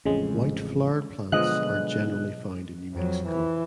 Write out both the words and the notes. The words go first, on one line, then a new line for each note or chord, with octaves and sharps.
White flowered plants are generally found in New Mexico.
A1 F2 C#3 G#3
B1 D3 F3 G#3 B3 D#5 F#6
F2 F#3
E3